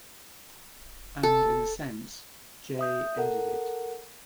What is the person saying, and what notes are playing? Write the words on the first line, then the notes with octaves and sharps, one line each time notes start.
And in a sense, "J" ended it.
A4
E5 D#6 G6
A4 A#4 F#5